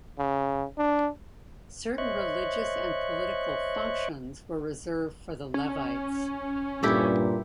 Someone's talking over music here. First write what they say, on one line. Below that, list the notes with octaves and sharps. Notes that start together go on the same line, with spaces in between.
Certain religious and political functions were reserved for the Levites.
C#3
D4
C5 C#5 D#5 E5 C#6 F#6
C#4
G2 A#2 E4 G4 A4